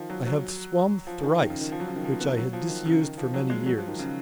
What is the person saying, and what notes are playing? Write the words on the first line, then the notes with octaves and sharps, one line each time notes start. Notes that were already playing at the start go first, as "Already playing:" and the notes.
I have swum thrice, which I had disused for many years.
Already playing: D#3 F3
F#3
F#3
F3
D#3
D#3
C#3
D#3
F3
F#3
C#3
D#3
F3
B3
F#3
F3
D#3
C#3
D#3
F3
F#3
G#3
F#3
F3
D#3
C#3